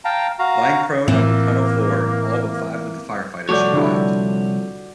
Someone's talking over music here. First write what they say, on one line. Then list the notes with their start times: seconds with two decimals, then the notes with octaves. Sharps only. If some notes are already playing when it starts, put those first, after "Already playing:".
Lying prone on the tunnel floor, all but five of the firefighters survived.
0.05 F5 G5 A5 A#5
0.39 F#4 F5 A#5
1.08 A2 E3 A#3 C4
3.49 C2 F3 A3 F#4 C#5 D5 D6 G6
3.73 D3 G3 E4